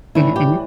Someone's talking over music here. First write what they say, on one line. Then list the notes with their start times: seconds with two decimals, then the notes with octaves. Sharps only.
Mhm, mhm.
0.15 A2 E3 G3 E4
0.36 G4